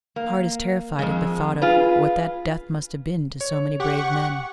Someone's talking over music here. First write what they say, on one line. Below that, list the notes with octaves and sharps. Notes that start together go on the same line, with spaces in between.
The heart is terrified at the thought of what that death must have been to so many brave men.
A#3
F2 G#3
F4 G#4 B4
C#5
G4 F#5 C#6 D6